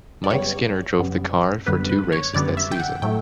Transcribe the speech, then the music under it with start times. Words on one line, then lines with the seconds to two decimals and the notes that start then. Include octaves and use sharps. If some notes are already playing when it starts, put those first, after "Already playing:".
Mike Skinner drove the car for two races that season.
0.24 D5
0.31 F#2 C#3 G3 B3 C#5
0.99 F#2 C#3 G3 B3
1.66 F#2 D3 G3 B3 B4
1.89 B4
2.12 C#5
2.34 F#2 D3 G3 B3 D5
2.57 E5
2.72 G5
2.80 F#5
3.02 A2 F#3 A3 G5